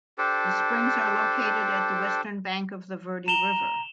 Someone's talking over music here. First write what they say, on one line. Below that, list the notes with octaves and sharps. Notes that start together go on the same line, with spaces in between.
The springs are located at the western bank of the Verde River.
D4 G4 A4 C5
A#5 E7 F7 G7